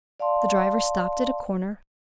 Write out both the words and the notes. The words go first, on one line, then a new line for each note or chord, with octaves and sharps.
The driver stopped at a corner.
D5 F5 A5 C6